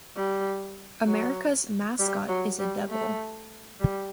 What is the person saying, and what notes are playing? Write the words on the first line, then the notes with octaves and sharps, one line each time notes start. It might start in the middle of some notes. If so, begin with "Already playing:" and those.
America's mascot is a devil.
G3
F#3
G3
F#3
G3
A3
G3